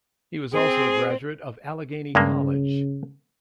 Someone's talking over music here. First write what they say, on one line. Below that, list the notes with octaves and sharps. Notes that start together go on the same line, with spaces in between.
He was also a graduate of Allegheny College.
C4 G#4
G2 C#3 G#3 A#3